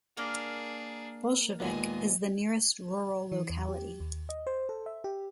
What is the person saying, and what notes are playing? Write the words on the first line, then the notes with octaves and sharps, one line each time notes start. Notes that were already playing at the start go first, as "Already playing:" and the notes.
Bolshevik is the nearest rural locality.
A#3 D4 G#4 A#4
D#2 A#2 G#3 B3 D#5 G#5
E3
E2
G4
D#2
D#5
C5
A4
E5
G4